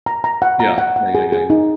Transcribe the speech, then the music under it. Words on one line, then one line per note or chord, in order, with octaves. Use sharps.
Yeah. Yeah, yeah, yeah, yeah.
A#5
A#5
F#5
A#5
F#5
F#5
G#4
G#4
D#4